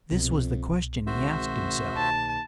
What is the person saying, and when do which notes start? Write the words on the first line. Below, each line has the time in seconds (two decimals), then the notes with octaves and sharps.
This was the question he asked himself.
0.11 C2 F2 B2
1.07 G#1 F#4 C5 E5
1.96 D#2 A5